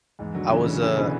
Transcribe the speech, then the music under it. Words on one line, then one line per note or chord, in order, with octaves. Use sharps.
I was, uh
E2 G#2
D3 F#3
C#3 E3
D3 F#3
C#3 E3
B2 D3